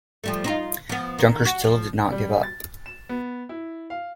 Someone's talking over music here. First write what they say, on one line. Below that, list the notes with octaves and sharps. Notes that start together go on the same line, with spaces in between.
Junkers still did not give up.
F3 G3 A3
C4 D#4 F4
F3 B3
D#3
F#4
F3
G3
A6
E7
B3
E4
F5